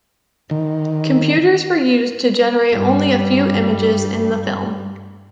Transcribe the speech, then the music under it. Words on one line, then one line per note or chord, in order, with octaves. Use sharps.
Computers were used to generate only a few images in the film.
D#3
G2 G3